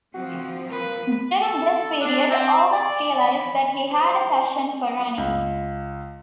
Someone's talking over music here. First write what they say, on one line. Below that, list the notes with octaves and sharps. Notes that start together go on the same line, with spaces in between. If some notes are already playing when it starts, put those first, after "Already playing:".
During this period, Owens realized that he had a passion for running.
F3 C4 F#4
A#3 B4
A4
D4
C4
D5
B5
C5
C#2